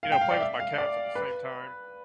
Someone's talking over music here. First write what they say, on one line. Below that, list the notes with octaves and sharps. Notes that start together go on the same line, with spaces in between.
you know, play with my cats at the same time.
F5
G5
F5
D5
E5
F5
D5
B4